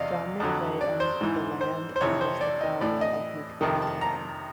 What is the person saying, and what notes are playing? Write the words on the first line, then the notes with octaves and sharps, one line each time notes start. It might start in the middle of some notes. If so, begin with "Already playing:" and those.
John McVey owned the land and was the founder of McVeytown.
Already playing: E2 C3 D5 D#5 F5
F2 D3 F#3
D5
C5
G#2 E3
C5
C5
F2 C3 E3 C#5
C5
D5
D#5
A2 E3 D5
D#5
F2 C3 D#3
A5
A#5